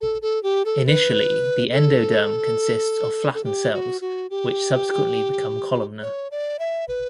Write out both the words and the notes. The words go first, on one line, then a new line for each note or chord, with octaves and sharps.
Initially, the endoderm consists of flattened cells, which subsequently become columnar.
A4
A4
G4
A4
B4
A4
A4
G4
F#4
F#4
G4
C#5
D5
E5
B4